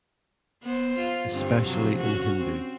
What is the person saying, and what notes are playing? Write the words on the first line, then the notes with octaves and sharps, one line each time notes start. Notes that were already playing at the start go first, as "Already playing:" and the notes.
Especially in Hindu.
B3 C5
F4
G2 D3 C4
C3 F3 F#3
C#4 F#4
C4